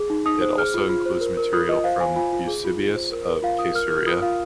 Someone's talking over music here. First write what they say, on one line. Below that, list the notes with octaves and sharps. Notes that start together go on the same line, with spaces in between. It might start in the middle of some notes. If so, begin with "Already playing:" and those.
It also includes material from Eusebius of Caesarea.
Already playing: G#4
D#4
D#4 D#6
C5
G#4 F6
F4
F4
C5
A#4
A#4
F4 D#6
F4 D#5
C5 F5
C5 G#5
F4 G#5
F4
G#4
F4
F4
C5
A#4
A#4
F4 F5
F4 D#6
A#4 F6
A#4 F6
F4 D#6
F4 F5